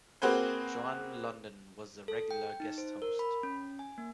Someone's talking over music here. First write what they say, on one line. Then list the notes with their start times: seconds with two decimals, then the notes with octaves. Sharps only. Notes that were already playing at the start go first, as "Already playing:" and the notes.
Joan Lunden was a regular guest host.
0.22 A#3 C4 F#4 G#4 B4 C5
2.08 A4
2.31 G5
2.60 D#4
2.78 C5
3.02 A#4
3.19 B5
3.43 C#4
3.79 G#5
3.98 A#3